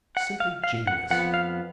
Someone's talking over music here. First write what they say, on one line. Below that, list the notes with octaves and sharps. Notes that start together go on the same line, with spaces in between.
Simply genius!
F#5
F5
F5
F#5
F2 F3 B3 F#5
F5